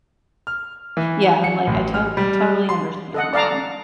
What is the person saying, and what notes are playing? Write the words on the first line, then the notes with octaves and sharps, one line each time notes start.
yeah, I'm like, "I to totally understand, mom."
F6
E3
C#7
A1
F6
G3
C6
A4 D#5 F#5
D5 F5 A5 A#5